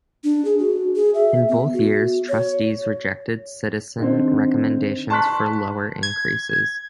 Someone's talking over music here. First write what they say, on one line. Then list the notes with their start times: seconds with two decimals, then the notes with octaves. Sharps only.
In both years trustees rejected citizen recommendations for lower increases.
0.24 D4
0.45 G#4
0.59 F#4
0.96 G#4
1.14 E5
1.49 B3
1.73 F#4
2.29 C#5
3.98 D3 D#3 C4
5.10 A5 C6 C#6 F#6 B6
6.03 G#6